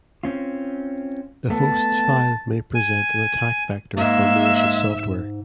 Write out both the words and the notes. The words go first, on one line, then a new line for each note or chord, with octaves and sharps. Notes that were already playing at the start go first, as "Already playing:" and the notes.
The hosts file may present an attack vector for malicious software.
C4 C#4 F4
A3 B3 A5
G#5
G#2 G#3 A#3 E5